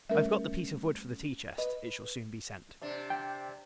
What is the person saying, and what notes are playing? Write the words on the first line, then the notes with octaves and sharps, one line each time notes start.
I have got the piece of wood for the tea-chest; it shall soon be sent.
G3 A3 C#4 A#4 E5
B4 D#5
C3 D4
G5